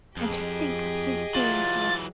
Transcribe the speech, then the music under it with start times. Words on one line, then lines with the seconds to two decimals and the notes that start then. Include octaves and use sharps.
And to think of his being here!
0.17 F2 G4 G#4 D#5
1.35 E3 F#3 F4 A6